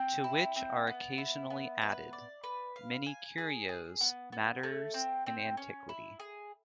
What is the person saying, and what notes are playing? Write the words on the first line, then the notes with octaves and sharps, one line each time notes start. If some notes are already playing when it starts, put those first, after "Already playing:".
To which are occasionally added, many curios matters in antiquity.
Already playing: C4
E4
C4
B3
E4
B3
B4
D5
B4
F5
G#5
G#4
G#4
B3
B3
A3
C4
C4
C#4
E4
G#4